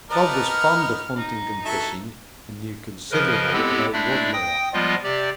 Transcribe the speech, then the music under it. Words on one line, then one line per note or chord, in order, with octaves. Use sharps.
Bob was fond of hunting and fishing and knew considerable about wood-lore.
B3 D#4 A#4 B4 D5 A5
F6
D#4
F#3 A4 E5
C#3 F3 A#4 B4 D#5
G#3 B3 C4 E4 G4 A4
G#3 A3 D4 E4 D5 E5
G5 D#6 A#6
F3 G3 G#3 B3 F4 D#5
C3 G4 D5